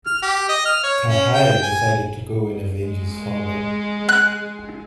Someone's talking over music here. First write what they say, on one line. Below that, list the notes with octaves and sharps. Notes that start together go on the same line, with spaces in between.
Kaha'i decided to go and avenge his father.
F6
G4
D#5
F6
C#5
C#4
G5
G#5
G#3 G#4
F#6